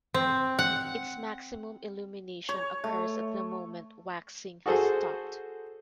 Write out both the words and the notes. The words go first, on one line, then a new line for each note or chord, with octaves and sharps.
Its maximum illumination occurs at the moment waxing has stopped.
C4
F#5
C#5
A3
F#4 G#4 A4 C5